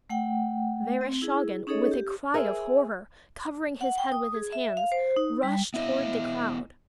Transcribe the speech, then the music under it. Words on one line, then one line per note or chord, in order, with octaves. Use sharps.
Vereshchagin with a cry of horror, covering his head with his hands, rushed toward the crowd.
A3 F#5 G5
C4
E4 G#4
C#4 D#4 G#4 A4 C#5 D#5
G4
G#4 A#4 C5 E5
F#5
G5
D#6
G#4
E5
F5
C5
D#4
G3
B3 E4 D#5 E5